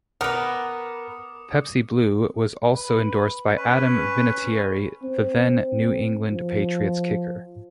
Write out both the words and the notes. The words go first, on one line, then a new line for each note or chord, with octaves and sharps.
Pepsi Blue was also endorsed by Adam Vinatieri, the then New England Patriots kicker.
B3 A#4 B4 D6 D#6 F6 C#7
B4
C#4 B4
C4
F3